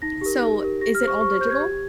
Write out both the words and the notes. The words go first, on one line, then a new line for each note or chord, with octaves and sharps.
Eh, so, is it all digital?
D#4 A#6
G4 A#4
D#4
G4 A#4
G4 A#6
F6
C5
C#6
G4 C#6
F6
C5 G6
G#6
G4